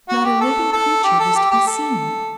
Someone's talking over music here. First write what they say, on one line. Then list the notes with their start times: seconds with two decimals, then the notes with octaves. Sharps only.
Not a living creature was to be seen.
0.09 F#4
0.24 G4
0.41 A4
0.72 A4
1.04 G4
1.20 A4
1.36 G4
1.51 G4
1.67 A4